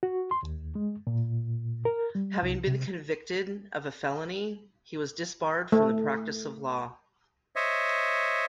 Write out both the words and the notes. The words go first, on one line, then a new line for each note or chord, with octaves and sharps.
Having been convicted of a felony, he was disbarred from the practice of law.
F#4
C6
D#2
G#3
A#2
A#4
G3
C2
C3
A3
C5 C#5 D#5 E5